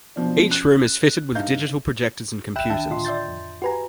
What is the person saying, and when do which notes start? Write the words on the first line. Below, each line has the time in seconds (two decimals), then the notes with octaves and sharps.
Each room is fitted with digital projectors and computers.
0.16 B2 F3 D4
0.47 F#2 F#6
1.35 G2 D#4 F5 G6
2.56 C#2 E5 G5 B5 F#6 E7
2.70 D#3 D4 E5 G5 A5
2.89 A2 D3 F4 D#5 C6
3.05 D5 E5 C6 G6 A6
3.28 F2
3.62 F#4 G4 B4 G#5 A#5